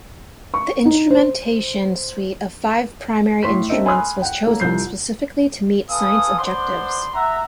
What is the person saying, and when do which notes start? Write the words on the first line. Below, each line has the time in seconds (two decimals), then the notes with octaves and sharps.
The instrumentation suite of five primary instruments was chosen specifically to meet science objectives.
0.54 C#6
0.85 D#4
1.10 C5
3.43 A2 C6 C#6 B6
3.69 C4 D4 A#4 C#5 D#5 E5
3.86 G#5 B5 C6 D#6 F6 F#6
4.22 F#5 G5
4.43 A#3 A4 C#5
4.60 C2 F3 G6 C7
5.89 A4 B4 F5 G#5 D#6
6.38 B3 D4 C5 F#5 C6 D6
7.14 E5 F#5 A#5